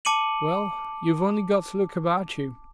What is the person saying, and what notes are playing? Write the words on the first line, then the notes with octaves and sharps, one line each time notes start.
Well, you've only got to look about you.
A5 D6 C#7 D#7 F#7